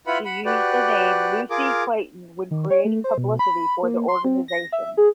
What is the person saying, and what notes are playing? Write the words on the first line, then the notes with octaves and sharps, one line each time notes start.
She used the name "Lucie Clayton" when creating publicity for the organisation.
E4 F4 B4 F#5 B5
F#5 B5
F#4 G4 B4 D5
F4 G#4 A#4 D6
D#3
C#5
A3
C5
B2
B5
A#3
C6
C4
A#6
E5
G#4